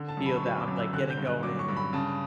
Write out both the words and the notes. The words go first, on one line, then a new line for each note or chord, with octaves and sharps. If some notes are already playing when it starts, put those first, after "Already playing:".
feel that I'm, like, getting going,
Already playing: D3
A5
F#2
B5
C#6
F#3 B5
D6
F#2
E6
D3 F#6
G6
G2
F#6
F#3 D6
C#6
G2
B5
C#3 A5